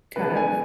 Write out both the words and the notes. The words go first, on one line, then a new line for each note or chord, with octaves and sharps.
kind of
C#3 G#3 B3 B4
G#5